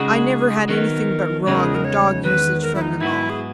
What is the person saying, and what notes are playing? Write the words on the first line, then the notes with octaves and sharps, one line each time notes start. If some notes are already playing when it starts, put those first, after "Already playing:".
I never had anything but wrong and dog-usage from them all.
Already playing: C#3 G#3 D#4 F#4 G#4
D#3 F#3 B3 D#4 A#4
E2 C#3 G#3 D#4 C#5
A#4
G#4
A#4
C#5
E2 D#3 G#3 B4
A#4
E4
D#4
G#2 F#3 B3 E4 F#4
G#4